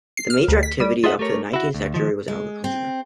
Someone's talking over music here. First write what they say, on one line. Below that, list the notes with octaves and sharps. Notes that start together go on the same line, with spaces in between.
The major activity up to the nineteenth century was agriculture.
C7
F6
D2
B6
G3
F4 G#4 A4 D#5 E5 F#5
A3 G4 A#4 C#5
E4 F#4
D2
D#3 F3
G#3
C4